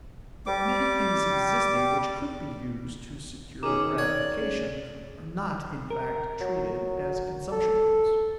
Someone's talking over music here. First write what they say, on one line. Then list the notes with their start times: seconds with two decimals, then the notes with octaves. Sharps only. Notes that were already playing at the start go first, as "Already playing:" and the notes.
But many things existing which could be used to secure a gratification are not in fact treated as consumption goods.
0.46 G3 D6
3.62 D#3 C#4 G#4 A#5 D6 E7
3.98 C#5 D5
4.41 C#3
5.90 A#4
6.41 F#3
7.52 A4